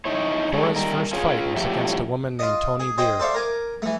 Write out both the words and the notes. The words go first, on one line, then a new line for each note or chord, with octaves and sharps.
Cora's first fight was against a woman named Toni Lear.
D#4 E4 C#5
G3 G#3 G#4 A4 C#5
D#3 G3 A#4
F4 G#4 C#5
A2 F3 F#3 G4 E5
F4 D#5
G#4
G#4 C5 D#5 G5
A4 C5 D5 E5 F5
A#4 G#5 D6
E3 A3